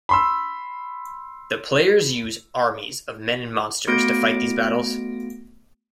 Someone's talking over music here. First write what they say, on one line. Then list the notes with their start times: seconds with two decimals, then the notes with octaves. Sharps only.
The players use armies of men and monsters to fight these battles.
0.09 B5 C6 E6
3.87 A3 B3 F#4 A#6 D7